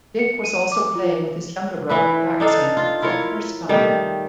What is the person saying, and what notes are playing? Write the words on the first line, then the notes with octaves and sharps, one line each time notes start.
Dick was also playing with his younger brother Jack Smith for the first time.
C#7
D#7
D6
F4
E3 E4 B4
D4 D#4 A4 F5
F4
E4 F4 A#4 C#5
D#3 G3 A3